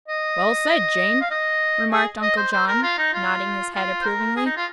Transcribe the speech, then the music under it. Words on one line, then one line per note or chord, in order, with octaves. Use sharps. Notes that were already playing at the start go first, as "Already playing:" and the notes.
"Well said, Jane," remarked Uncle John, nodding his head approvingly.
D#5
F5
D#5
G#4
D#5
C5
C5
A#4
F4
D#4
F4
F4
C5
A#4
G#4
D#4
F4